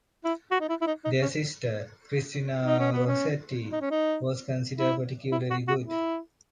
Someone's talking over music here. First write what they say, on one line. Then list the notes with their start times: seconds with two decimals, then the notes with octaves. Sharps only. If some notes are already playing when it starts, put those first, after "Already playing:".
Their sister, Christina Rossetti, was considered particularly good.
0.25 E4
0.51 F#4
0.61 D#4
0.69 E4
0.82 E4
0.87 D#4
1.05 D#4
1.22 C#4
2.66 D#4
2.80 C#4
2.93 B3
3.07 C#4
3.72 D#4
3.82 C#4
3.91 D#4
4.79 E4
5.32 E4
5.50 F#4
5.68 F#4
5.85 E4